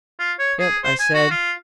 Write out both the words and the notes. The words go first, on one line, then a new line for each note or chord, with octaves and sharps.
"Yep," I said.
F4
C#5
G#4
C5
G#5
F#4
F4